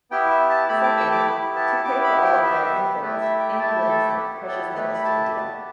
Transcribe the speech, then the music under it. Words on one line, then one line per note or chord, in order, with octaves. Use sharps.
Second, to pay for all of their imports, England sent precious metals to India.
B3 E4 G4 G5
E5
A5
A3 E4 G4 B5
D6
E6
D6
B3 E4 G4 B5
A5
B3 E4 G4 D6
B5
G5
B3 G4 E5
G5
E5
A3 E4 G4 B4
E5
G5
G5
A3 E4 G4 A5
A4
B3 E4 G4 B4
A4
A3 E4 G4 B4
B5
A5
B3 G4 A5